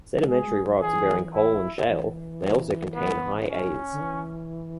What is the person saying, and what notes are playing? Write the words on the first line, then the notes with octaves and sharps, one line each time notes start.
Sedimentary rocks bearing coal and shale may also contain high As.
E3
F#3
G#3 G#4
G#3
F#3
E3 G#4
E4
E3
B3
C#4
D3
E3